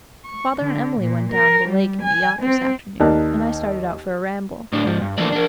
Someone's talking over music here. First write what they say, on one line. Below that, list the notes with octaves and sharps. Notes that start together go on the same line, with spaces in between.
Father and Emily went down the lake in the yacht this afternoon and I started out for a ramble.
C#6
D3
A#2
A#4
G3
G#5
C4
D#2 D#4 A#4 D5 A5 F#6
A2 D4
G#2 F3
G2
E3 F3 A3 A#3 D4 D5
D4 A#4